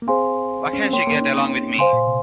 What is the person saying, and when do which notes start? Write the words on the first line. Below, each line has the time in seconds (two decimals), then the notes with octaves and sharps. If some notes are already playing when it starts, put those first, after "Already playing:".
Why can't she get along with me?
0.02 A#3
0.07 C4 G#4 C5 F5 G#5 C6
0.73 C#4
0.83 C4
0.93 A#3 C#5 G5 C6
1.07 A#3
1.15 C#4
1.21 D#4
1.35 C4
1.78 C#3 C5 F5 G#5 C6
1.93 A#2
2.07 C3